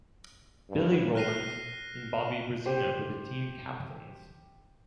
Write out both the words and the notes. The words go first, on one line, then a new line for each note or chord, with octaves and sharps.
Billy Roland and Bobby Brezina were the team captains.
G2 G3 E4 F#4
F6 F#6 A#6 C7 D#7
G4 C5